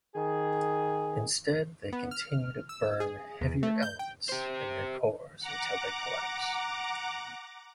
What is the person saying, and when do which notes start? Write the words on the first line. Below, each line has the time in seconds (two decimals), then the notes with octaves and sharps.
Instead they continue to burn heavier elements in their cores until they collapse.
0.15 D#3 G#4
1.93 B3
2.11 F6
2.69 E6
3.00 G#4
3.41 E2
3.63 A3
3.82 G6
3.99 G5
4.29 G4 C5
5.40 F#5 A#5 D6